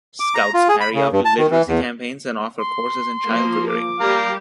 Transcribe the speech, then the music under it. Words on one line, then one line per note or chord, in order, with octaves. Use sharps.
Scouts carry out literacy campaigns and offer courses in childrearing.
D6
A#5
F4
G#4
B5
C#3
G2
A5
D#3
E3
E2
C6
F3 A#3
D6
G3 G4 A#4 F5 A#5